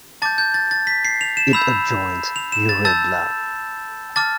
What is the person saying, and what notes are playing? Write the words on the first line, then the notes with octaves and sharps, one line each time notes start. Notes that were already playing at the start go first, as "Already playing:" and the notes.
It adjoins Uraidla.
A5 D6 G6 A6
G6
A6
A6
B6
C7
F7
E7
B5 E6 G6 F7
F7
E7
A6
A5 E6 G6 A6
A5 D6 F6 A6